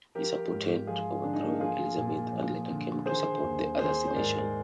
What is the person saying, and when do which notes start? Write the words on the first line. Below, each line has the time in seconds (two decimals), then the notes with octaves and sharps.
He supported overthrowing Elizabeth and later came to support the assassination.
0.15 F3 G4 A#4
0.52 G#2
0.87 F3 F4 G#4
1.23 D3 D4
1.33 D#4
1.42 A#3 D4
1.60 F3 F4 G#4
1.97 A#2
2.33 F3
2.70 D3
3.06 D#3 G#4 C5
3.42 D#2
3.78 D#3 G#4 C5
4.07 C5
4.15 G#2 A#4 D5